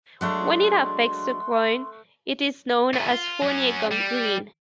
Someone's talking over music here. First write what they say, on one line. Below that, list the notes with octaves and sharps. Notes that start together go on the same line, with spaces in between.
When it affects the groin it is known as Fournier gangrene.
F#3 G#3 A3 D4 F#5 C6
A3 C#4
F4
F#3 C#4
G3